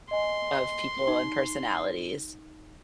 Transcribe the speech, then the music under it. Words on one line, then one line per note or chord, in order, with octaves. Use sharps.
of people and personalities.
D#5 G#5 C6
D#4